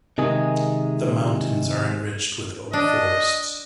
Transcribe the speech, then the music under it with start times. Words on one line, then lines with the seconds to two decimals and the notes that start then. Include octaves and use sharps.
The mountains are enriched with oak forests.
0.18 C3 D#3 G#3 G#4
2.73 D4 D#5